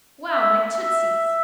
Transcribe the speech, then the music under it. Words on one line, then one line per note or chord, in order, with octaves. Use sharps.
Wow, my tootsies!
E5
E5